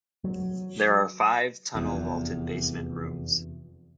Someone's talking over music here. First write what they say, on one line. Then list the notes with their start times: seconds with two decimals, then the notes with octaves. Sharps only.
There are five tunnel-vaulted basement rooms.
0.24 F#3
1.75 F1 E2